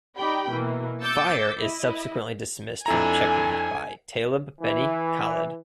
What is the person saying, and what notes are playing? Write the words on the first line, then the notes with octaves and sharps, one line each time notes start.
Fire is subsequently dismissed from Checkmate by Taleb Beni Khalid.
D#4 G4 D5 G5 B5
B2 E3 A#3
D6 E6 G6 A6 C#7
E4 D#5
F2 D4 E4 A4 G#5 A#5
E3